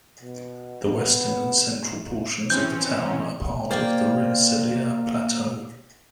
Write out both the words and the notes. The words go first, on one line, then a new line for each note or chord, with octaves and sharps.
The western and central portions of the town are part of the Rensselaer Plateau.
B2
B3
E3 C4 C#4 G6
A#3 C5 D5 G5